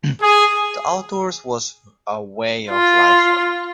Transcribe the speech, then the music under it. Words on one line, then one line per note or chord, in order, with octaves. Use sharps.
The outdoors was a way of life for me.
G#4
F4